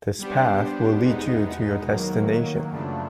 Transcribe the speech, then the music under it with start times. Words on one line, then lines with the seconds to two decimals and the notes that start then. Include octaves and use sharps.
This path will lead you to your destination.
0.18 G3 B3 D4 G4 C5
1.03 E2 B2 G#3 B3 D#4
1.87 D#3 F#3 A#3
2.70 F#2 C#3 F3 A3 D4